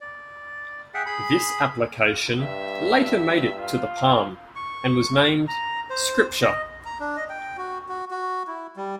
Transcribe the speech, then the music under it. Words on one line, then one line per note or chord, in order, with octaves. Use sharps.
This application later made it to the Palm and was named Scripture.
D5
G#4 E5 F#5 G5
G#4 B5
F5
G2 E5
F4
C#6
A#5
C5
D#5
A#5
D4
D#5
G5
F#4
F#4
F#4
E4
G3